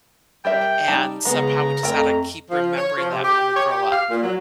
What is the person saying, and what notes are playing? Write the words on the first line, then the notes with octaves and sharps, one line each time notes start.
and somehow we just gotta keep remembering that when we grow up.
G3 A#4 E5 G5
G3 D#4 A5
C#3 G#3 B3 A#5
F2 A3 A#4 G5
F3
C#5
F3
C3
G4
C#5
G4
F5
A#2
F#3